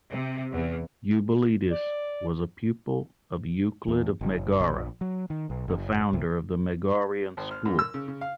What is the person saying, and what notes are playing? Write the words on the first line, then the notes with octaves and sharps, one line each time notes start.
Eubulides was a pupil of Euclid of Megara, the founder of the Megarian school.
C3
E2
D5
E2
F#1
A#1
F#3
D#3
B1
F#1
C2
G#1
F6
F#2
E6
C#3
C#3
F5